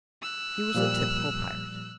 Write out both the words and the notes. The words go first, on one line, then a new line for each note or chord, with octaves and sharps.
He was a typical pirate.
E6 F#6
A#2 F3 G3